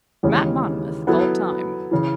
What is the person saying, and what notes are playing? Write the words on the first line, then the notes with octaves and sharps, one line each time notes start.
Mat Monmouth called time.
D#2 C#3 E3 G#3 C#4
F#3 B3 E4 A4
C#3 E3